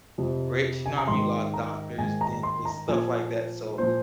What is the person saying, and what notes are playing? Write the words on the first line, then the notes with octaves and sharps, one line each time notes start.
rich, you know what mean? A lotta doctors, dentists, stuff like that, so
F2 C3 F3
G#5
A#5
G#2 D#3 C6
A#5
G#2 D#3 G#5
A#5
C6
A#5
A#2 F3 G#5
A#2 F3 C5